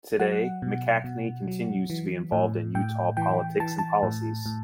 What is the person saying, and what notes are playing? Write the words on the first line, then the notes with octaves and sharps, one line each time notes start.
Today McKeachnie continues to be involved in Utah politics and policies.
F#3 F#5
B2
B2
F#3
E3
A2
A2 G5
E3 G5
E3 A5
A5
A2
A2